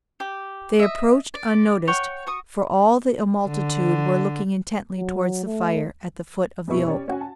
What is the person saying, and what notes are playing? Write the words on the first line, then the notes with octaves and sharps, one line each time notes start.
They approached unnoticed, for all the multitude were looking intently towards the fire at the foot of the oak.
G4
D#5 E5
D5
C#5 F#5 G5 C#6
F#4 C#6 D#6
D3
F#3
A3
F2 B2 G3 B3 E4 C#6
C#4 G4 C#5 D5
C#4 F#4 F#5 G#5
A5